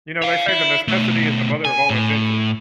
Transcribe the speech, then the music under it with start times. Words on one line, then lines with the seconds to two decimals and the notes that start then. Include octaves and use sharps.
You know, they say that necessity is the mother of all invention.
0.22 C#5 F5
0.48 E4
0.88 B2 A3
1.65 G#5
1.90 A2